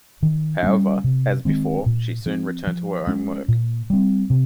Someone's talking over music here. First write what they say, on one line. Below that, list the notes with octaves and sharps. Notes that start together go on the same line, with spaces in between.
However, as before, she soon returned to her own work.
D#3
G3 A#3 C#4
C3
D#3 G#3 C4
A#2
F3 C4
F3
G#3 C#4
A#2
G3 C4
C3